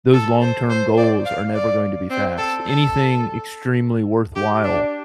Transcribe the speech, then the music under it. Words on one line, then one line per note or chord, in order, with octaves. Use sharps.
those long-term goals are never going to be fast. Anything extremely worthwhile
A4
C5
C5
D5
F5
D5
C4
A4
A4
G4
D4